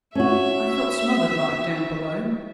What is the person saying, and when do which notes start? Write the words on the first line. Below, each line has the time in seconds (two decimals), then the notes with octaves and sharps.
I felt smothered like down below.
0.15 C#4 F#4 E5